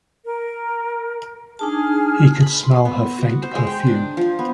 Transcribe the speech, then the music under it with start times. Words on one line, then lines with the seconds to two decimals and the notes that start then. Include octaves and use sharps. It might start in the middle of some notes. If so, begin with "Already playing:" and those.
He could smell her faint perfume.
0.24 A#4
1.59 D4 D#4 G#4 A5 F6
2.43 B5
2.63 C6
2.85 B3
3.19 F#4
3.43 C5
3.55 G#3
3.67 G5
3.87 D4
4.17 F3
4.39 B3